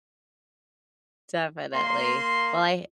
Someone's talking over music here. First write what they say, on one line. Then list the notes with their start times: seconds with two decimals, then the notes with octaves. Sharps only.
definitely. Well, I
1.73 A#3 C6